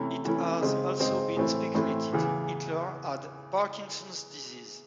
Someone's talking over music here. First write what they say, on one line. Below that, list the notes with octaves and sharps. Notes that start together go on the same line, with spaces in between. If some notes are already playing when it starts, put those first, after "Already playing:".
It has also been speculated Hitler had Parkinson's disease.
Already playing: C3 E3 A3 C#4 E4
C3 E3 A3 C#4 E4
C#3 G#3 C4 D#4
C#3 G#3 C4 D#4
A2 E3 A3 C4 E4
A2 E3 A3 C4 E4
E2 C#3 E3